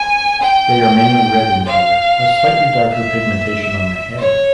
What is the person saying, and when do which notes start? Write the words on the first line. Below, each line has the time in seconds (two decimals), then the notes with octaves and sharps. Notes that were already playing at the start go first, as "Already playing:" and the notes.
They are mainly red in colour, with slightly darker pigmentation on the head.
Already playing: G#5
0.41 G5
1.67 F5
2.93 E5
4.19 C#5